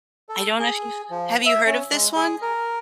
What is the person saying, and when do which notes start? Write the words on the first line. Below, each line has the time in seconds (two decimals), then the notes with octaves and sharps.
I don't know if you've have you heard of this one?
0.29 A4
0.59 G#4
1.10 F3
1.46 E5
1.67 C#4
1.92 G#3
2.16 G#4
2.42 A#4